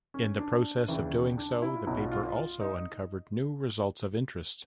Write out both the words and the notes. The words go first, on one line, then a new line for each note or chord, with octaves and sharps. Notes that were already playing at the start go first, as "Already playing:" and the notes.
In the process of doing so, the paper also uncovered new results of interest.
C#4
D4
D#2 C#3 E3
D4
E4
F4
B1 B2 E4
F4
F4
F4
F4
D#4